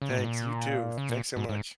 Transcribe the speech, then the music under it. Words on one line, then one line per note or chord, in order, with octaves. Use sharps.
Thanks, you too. Thanks so much.
C#3
A#2
G#2
A#2
C#3
A#2
G#2
G#2